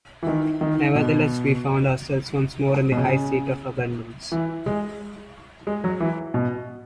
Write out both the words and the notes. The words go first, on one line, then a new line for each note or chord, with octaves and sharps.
Nevertheless we found ourselves once more in the high seat of abundance.
E3
D#3
D#3
B2
B2
C#3
E3
G#3
G#3
F#3
E3
B2